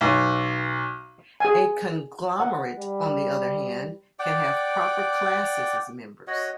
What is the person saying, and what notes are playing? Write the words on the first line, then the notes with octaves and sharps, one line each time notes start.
A conglomerate, on the other hand, can have proper classes as members.
B1
G#4 G#5
F#5
G3
D5 F#5 G5 D6
F#4 C#5 D#5 F#5